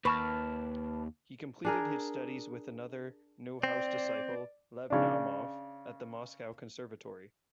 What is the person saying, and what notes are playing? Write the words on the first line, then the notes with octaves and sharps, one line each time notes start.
He completed his studies with another Neuhaus disciple, Lev Naumov, at the Moscow Conservatory.
D#2 B4 A5 B5 C#6 F6
D4 G#4 A#4
C4 D5
C#3 D4